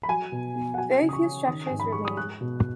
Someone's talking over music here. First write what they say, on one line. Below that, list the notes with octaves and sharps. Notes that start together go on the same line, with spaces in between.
Very few structures remained.
B5
F#3 G#5
B2
B3
F#5
F#3 G#5
C#3
D#6
C#6
C#4
D#3 D#6
G#2 G#5
B5
G#3 C#6
D#6
G#3 F#6
B2